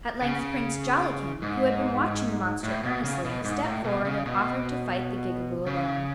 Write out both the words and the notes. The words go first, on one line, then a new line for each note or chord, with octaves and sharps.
At length Prince Jollikin, who had been watching the monster earnestly, stepped forward and offered to fight the Gigaboo alone.
C#3
G#2
A2
B2
C#3
B2
G#2
A2
B2
C#3
B2
C#3